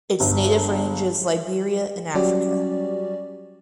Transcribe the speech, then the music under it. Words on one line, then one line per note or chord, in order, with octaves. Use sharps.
Its native range is Liberia in Africa.
G1
F#3 G3 C#4 F#4 G4 D5